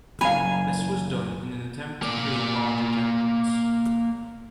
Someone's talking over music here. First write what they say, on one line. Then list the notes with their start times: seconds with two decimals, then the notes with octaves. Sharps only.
This was done in an attempt to create larger jackpots.
0.21 F#1 F5 G#5 A#5 B5
2.03 A#3 D5